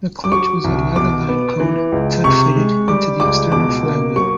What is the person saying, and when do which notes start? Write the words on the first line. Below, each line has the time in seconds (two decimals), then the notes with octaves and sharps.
The clutch was a leather lined cone type fitted into the external flywheel.
0.24 D6
0.32 F#3 C#6
0.64 C2
0.96 B2 D6
1.28 B3
1.60 E3
1.92 C#2
2.24 C3 C#6
2.56 G#3
2.88 G3 D6
3.20 C#2 D6
3.52 B2 D6
3.84 A#3
4.16 F#3 C#6